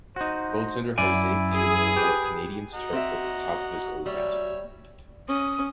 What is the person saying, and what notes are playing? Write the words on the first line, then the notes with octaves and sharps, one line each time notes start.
Goaltender Jose Theodore wore a Canadiens tuque over the top of his goalie mask.
D#4 F#4 C5
F#2 E4 D5 G#5
G#4
G4 B4
F#4 D#5 F#5 A#5
C4 E5
G3 C#5 E5
C#4 D#6